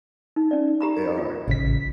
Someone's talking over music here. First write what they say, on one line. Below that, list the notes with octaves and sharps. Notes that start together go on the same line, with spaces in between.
They are,
D#4
C#4 D5
G4 A#5 B5
F4
A1 C#3 B6